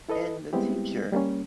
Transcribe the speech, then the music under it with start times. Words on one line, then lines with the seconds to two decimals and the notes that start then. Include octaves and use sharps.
and the teacher
0.09 E4 A4 B4 D#5
0.53 G3 G#3 B3 C4 E4 G4
1.12 G3 A#3 C#4